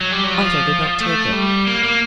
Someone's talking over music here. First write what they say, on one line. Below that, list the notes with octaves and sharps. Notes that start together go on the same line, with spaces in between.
Arthur did not take it.
F#3
G3
F#3
F3
A3
G3
A#3
A#3